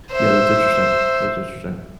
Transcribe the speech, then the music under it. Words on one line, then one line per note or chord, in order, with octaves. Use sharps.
Yeah, that's interesting. That's interesting.
C5 E5